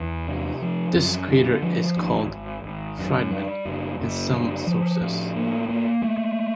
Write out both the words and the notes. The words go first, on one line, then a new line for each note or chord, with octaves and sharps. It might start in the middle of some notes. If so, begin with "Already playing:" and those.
This crater is called Friedmann in some sources.
Already playing: E2
C3
F3
F#2
D3
F3
G#1
G#1
G#1
F#2
G3
F#1
F#1
G3
F3
A2
A#3
A#3
A3